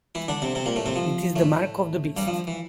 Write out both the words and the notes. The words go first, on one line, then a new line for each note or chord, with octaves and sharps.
It is the mark of the beast.
E3 E4
D3 D4
C3 C4
C3 C4
A#2 A#3
A2 A3
C3 C4
F3
A2 A3
G2 G3
F3
E3